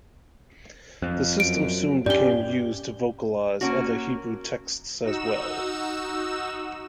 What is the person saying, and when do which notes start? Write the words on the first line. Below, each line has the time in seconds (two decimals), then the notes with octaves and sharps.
The system soon became used to vocalize other Hebrew texts as well.
1.02 F2
1.40 F#2 D7
2.06 G2 C#4 G4 D5 G7
3.61 A#3 C#4 F#4
5.04 D#4 F#4 E6 E7